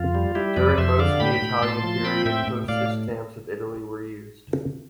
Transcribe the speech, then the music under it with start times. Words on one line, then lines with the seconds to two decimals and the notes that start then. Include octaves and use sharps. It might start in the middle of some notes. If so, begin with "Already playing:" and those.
During most of the Italian period, postage stamps of Italy were used.
Already playing: F2 F4
0.15 G3
0.35 G3 E4 G4
0.56 F2 B4 D5
0.77 F2 C5 E5
0.99 D3 D5 F5
1.20 A2 G5 B5
1.42 A2
1.62 A2 A5 C6
1.83 F3
2.05 C4 G5 B5
2.25 A2 E5 G5
2.47 A2
2.68 A2 D5 F5